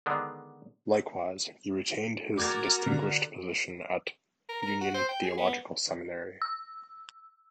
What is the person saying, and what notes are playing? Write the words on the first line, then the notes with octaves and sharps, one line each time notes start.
Likewise he retained his distinguished position at Union Theological Seminary.
D3 D#3 G#3 B3 D4
F#4 A#4 D6 G#6 A6
D3
A#4
A#4
F#4
C5
G5
G#4
B3
E6